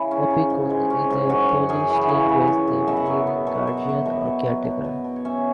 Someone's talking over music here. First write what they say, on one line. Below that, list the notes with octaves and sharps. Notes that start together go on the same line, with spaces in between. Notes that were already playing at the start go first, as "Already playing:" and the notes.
Opiekun is a Polish language name meaning "guardian" or "caretaker".
Already playing: C#3 E4
C#4
C#3
G#2
G#3
C#4
G#2
F#2 F#4
F#2
F#2 G#4
E3
C#3 C#5
C#3
C#3
F#2
B2 E5
F#5
F#3 E5
B3
B2
B2 E5
F#5
B3 E5
B2
B2
F#3
B2
B2
B2
C#5
C#4 E5